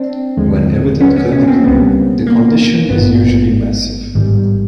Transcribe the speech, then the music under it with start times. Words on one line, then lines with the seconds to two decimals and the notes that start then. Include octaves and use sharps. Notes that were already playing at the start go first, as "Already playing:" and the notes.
When evident clinically, the condition is usually massive.
Already playing: C4 D4
0.37 D#2 D3 F3 G#3
1.00 B3 C#4
1.16 B3 C#4
1.32 B3 C#4
1.47 A#3 C4
1.63 C#2 B2 G3 B3
2.27 A#3
2.89 G#1 G2 D#3 B3
4.15 A1 G#2 D#3 G3